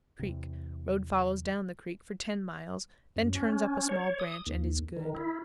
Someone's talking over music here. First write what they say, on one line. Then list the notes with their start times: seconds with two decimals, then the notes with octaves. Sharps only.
Creek.--Road follows down the creek for ten miles, then turns up a small branch, and is good.
0.19 E2 C3
3.16 F#2
3.35 C#4
3.50 C#4
3.89 C#5
4.20 D#6
4.46 D#2
4.97 D#3
5.15 E4